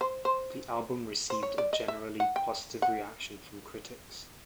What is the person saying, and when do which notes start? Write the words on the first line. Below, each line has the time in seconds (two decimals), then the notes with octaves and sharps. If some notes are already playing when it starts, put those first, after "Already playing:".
The album received a generally positive reaction from critics.
0.01 C5
0.25 C5
1.30 C5
1.43 C#5
1.58 D5
1.73 D#5
1.88 E5
2.20 F#5
2.36 G5
2.82 F#5